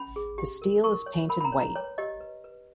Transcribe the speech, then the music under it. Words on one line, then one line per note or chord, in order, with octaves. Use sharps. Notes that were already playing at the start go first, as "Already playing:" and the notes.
The steel is painted white.
Already playing: C#4 B5
G#4
G4
A#4
A#4 C#6
C#5
A#4 B5
B5
A#5
C#5
A#5
B4 C#5
G4 D#5
B4
B4